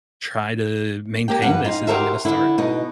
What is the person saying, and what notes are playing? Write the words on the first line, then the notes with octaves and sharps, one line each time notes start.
try to maintain this, is I'm gonna start
A#3 G4 G5
G2 B4 F#5
D#4 F4
F#4 G4 A4 A#4 C5 E5
D3 E4
B2 D#4